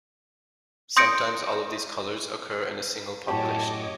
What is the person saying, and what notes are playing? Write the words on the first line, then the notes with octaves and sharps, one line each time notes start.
Sometimes all of these colors occur in a single population.
C6 D#6 G6 A#6 C#7 D7
F#2 A2 F#4 G4 C#5 D#5 A5 D6